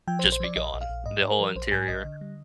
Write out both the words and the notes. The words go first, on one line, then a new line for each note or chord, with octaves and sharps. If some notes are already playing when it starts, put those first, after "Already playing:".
just be gone, the whole interior.
F3 G5
C5
A#1
C5
F3 D5
A#1 D#5
A#1
F5
A#1
G#2 D#5
G#2
A#4
F3
A#1 C5
G#2 G#5
A#1 D#5
D3
G3